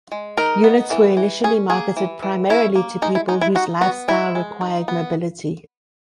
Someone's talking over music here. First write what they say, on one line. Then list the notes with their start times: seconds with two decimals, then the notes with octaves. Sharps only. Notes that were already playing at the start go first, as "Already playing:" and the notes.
Units were initially marketed primarily to people whose lifestyle required mobility.
0.12 G#3
0.37 D#4 A#4
0.64 B3
0.91 E3
1.17 E3
1.44 C#4 G#4
1.70 A#3 G#4
1.97 E3
2.22 E3
2.50 C#4 E4
2.75 A#3
3.02 G#3 D#4
3.15 E4
3.28 G#3 D#4
3.41 E4
3.55 D#4 F#4
3.81 B3 F#4
4.08 G#3 E4
4.35 G#3
4.61 D#4
4.88 B3